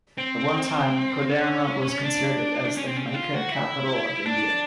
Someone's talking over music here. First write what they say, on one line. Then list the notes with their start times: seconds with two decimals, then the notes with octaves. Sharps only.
At one time, Koderma was considered as the mica capital of India.
0.18 C4
1.30 C#4
2.04 D4
2.77 C#4
2.87 C4
2.97 C#4
3.06 C4
3.14 F4
3.34 F#4
3.52 E4
4.26 D4